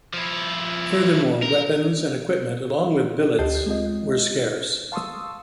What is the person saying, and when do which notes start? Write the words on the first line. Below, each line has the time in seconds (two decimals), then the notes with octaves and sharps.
Furthermore, weapons and equipment, along with billets, were scarce.
0.13 F3 E4
1.43 A#4
3.39 D2 G4 D#5 A5 G6 C7
3.66 G#3 C4 F4 D#5
4.92 F5 A5 C6 C#6 D#6 E6